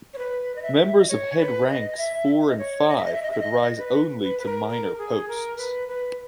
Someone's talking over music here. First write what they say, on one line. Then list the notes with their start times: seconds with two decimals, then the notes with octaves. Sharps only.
Members of head ranks four and five could rise only to minor posts.
0.14 C#5
0.18 B4
0.56 D#5
0.63 E5
0.98 D#5
1.08 C#5
1.38 B4
1.68 D#5
1.97 E5
2.48 D#5
2.59 C#5
2.88 D#5
2.97 E5
3.05 D#5
3.14 E5
3.23 D#5
3.31 E5
3.40 D#5
3.78 B4
4.23 B4
4.39 B4
4.46 A#4
4.69 A#4
4.98 G#4
5.28 A#4
5.58 B4
5.88 B4